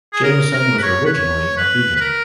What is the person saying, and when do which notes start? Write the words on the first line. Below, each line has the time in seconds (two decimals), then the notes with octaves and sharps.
Jamieson was originally a vegan.
0.13 G#4
0.24 A#4
0.53 A#4
0.78 B4
0.83 C#5
1.06 B4
1.13 C#5
1.57 B4
1.96 B4
2.01 A#4